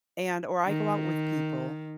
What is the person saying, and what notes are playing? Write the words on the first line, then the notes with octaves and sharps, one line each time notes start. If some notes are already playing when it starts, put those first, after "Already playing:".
and or I go out with people
D#3